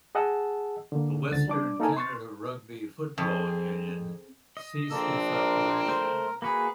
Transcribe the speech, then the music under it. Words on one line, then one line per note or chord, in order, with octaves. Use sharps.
The Western Canada Rugby Football Union ceased its operations.
G#4 D#5 F#5 A5 E6
D3 A#3
C#2 D3 A6
G3 D4 D6
A#3 D#4 A4 A#4 D#5 G#5
C6 C#6 A6
F2 C4 G#4
D#5
A#1 A#3 C4 D4 A4 E6
A#4
A3 C5
A#3 F#4 G#4 B4